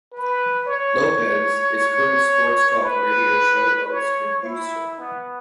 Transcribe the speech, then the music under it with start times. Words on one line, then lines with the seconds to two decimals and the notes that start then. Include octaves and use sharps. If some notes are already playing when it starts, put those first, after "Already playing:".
Lopez is a current sports talk radio show host in Houston.
0.13 B4
0.66 C#5
2.82 B4
3.90 C#5
4.44 E4
4.98 B3